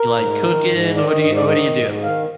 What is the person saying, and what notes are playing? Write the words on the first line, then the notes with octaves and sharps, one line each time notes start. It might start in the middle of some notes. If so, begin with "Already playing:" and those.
You like cooking, what do you what do you do?
Already playing: A#4
G#2
D#3
G#2
D#3 D5
D#5
G#2 D#5
D5
D#3 D#5
G#2
D#3 F5